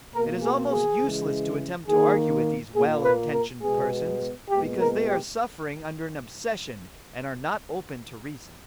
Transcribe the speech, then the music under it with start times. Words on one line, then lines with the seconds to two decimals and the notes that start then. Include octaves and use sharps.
It is almost useless to attempt to argue with these well-intentioned persons, because they are suffering under an obsession and are not open to reason.
0.13 B2 A#3 A#4
0.42 G#4
0.71 G#4
1.01 C#3 E3 G#3
1.88 D#3 A#3 G#4
2.75 A#2 A#3 G#4
3.04 B4
3.33 A#4
3.62 B2 G#3 B3 G#4
4.50 A#2 G#3 B3 G4
4.79 A#4
5.08 G4